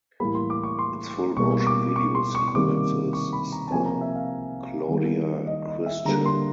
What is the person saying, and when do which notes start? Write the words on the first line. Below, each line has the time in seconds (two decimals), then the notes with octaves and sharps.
Its full motion video sequences star Claudia Christian.
0.20 A2 E3 G3 A#3 B5
0.35 C6
0.50 D6
0.63 C#6
0.79 C6
1.37 B2 G3 A#3 C#6
1.60 C#6
1.67 D6
1.96 C#6
2.15 C6
2.35 C#6
2.48 C#6
2.54 C3 D#3 G3 A#3 D6
3.13 C#6
3.33 B5
3.52 A#5
3.68 A5
3.71 C3 F3 A#3 G#5
3.86 A#5
4.01 E5
4.15 F5
4.88 D#3 G3 A#3
5.47 D#5
5.67 D#5
5.86 E5
6.05 D3 G3 A#3 A#5
6.26 C6